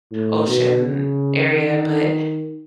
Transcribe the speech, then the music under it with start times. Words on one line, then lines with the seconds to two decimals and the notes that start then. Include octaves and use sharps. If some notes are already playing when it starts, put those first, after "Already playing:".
ocean area, but
0.11 A2
0.47 B2
0.82 C#3
1.53 D#3